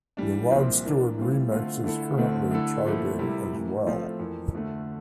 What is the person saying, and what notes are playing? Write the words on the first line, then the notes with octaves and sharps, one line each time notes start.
The Rod Stewart remix is currently charting as well.
E3 G3 D4
C2 A#2 F3 C4
E3 A#3 D4
A2 E3 G3 C4 F4
D3 A3 C4 F4
D3 A3 E4 A4
D2 D3 A3 C4
D3 A3 E4 A4
A#2 F3 A3 E4
C3 G3 A#3 E4
A2 E3 A#3
A2 F3 A3 C4 F4
F2 E3 A#3
D2 D3 A3